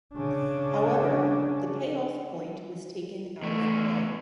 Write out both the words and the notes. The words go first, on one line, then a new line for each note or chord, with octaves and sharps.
However, the payoff point was taken out of play.
C#3 D4
E2 A3